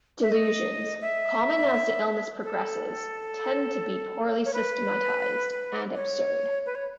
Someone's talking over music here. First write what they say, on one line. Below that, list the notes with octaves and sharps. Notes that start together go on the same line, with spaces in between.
Delusions, common as the illness progresses, tend to be poorly systematized and absurd.
E5
D#5
E5
A4
C#5
B4
C#5
B4
C#5